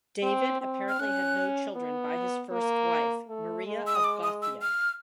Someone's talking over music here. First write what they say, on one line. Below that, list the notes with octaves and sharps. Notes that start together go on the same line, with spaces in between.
David apparently had no children by his first wife Maria of Gothia.
C4
C4
F6
C#4 F#6
B3
A#3
A3
G#3
E6
D#6
D6
D#6
E6
F6